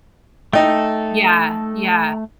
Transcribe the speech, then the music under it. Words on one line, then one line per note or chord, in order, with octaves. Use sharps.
Yeah, yeah.
A3 D#4 A4 G5